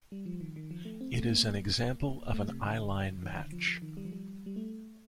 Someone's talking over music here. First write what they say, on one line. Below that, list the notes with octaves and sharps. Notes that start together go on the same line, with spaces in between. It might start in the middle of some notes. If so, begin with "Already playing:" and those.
It is an example of an eyeline match.
G3
F3
D#3
D#3
F3
A3
C4
A3
C4
A#3
A3
C3
D3
D#3
D3
F3
F3
D#3
G3
F3
G3
G3
A3